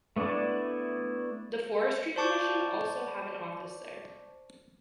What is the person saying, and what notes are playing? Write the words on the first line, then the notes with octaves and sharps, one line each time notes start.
The Forestry Commission also have an office there.
A3 B3 D4 E4 D5
C5 D5 A5 C#6 D6 G6